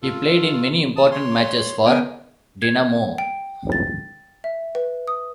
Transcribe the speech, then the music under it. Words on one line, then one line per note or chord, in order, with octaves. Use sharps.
He played in many important matches for Dinamo.
F4 A4
A5 D#6
C#5 C6
B3 A#4 G5 G#5
G#6
G5
A6
E5
B4
D#6